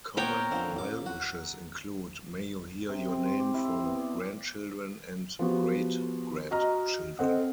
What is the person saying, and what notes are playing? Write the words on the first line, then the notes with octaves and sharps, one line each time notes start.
Common well-wishes include May you hear your name from grandchildren and great-grandchildren!
B3 A#4 C5 C#5 G5 D6
F2 D3 C5
A1 D6
F#4
C3
C4
C5
G4
E4
F5
B3
D5
F3 B3 F#4 G4
F#4 D#5 A#5 F6
C4 A4 C5 D#5 F#5